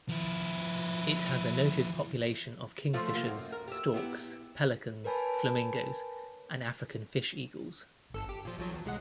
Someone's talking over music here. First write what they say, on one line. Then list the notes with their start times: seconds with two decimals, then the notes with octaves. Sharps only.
It has a noted population of kingfishers, storks, pelicans, flamingos and African fish eagles.
0.09 F3 E4
2.93 F3 A3 F4
3.12 C3 A#3
3.27 F#2
3.52 A#4
3.68 G4 E5
3.94 B3 E4 G4
5.04 A#4 B4 C#5 G#5 A5 B5
8.14 G1 A4
8.29 G4
8.45 A#2 F3
8.58 B1 F3 F#3
8.72 E2
8.86 C2 G#3 F#5